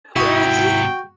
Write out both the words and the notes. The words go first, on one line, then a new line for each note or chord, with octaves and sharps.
we were just
G#2 C3 E4 F#4 G5 D#6